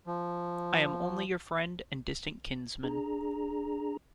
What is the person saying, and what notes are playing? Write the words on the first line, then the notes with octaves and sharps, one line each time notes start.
I am only your friend and distant kinsman.
F3
D4 G#4 A#5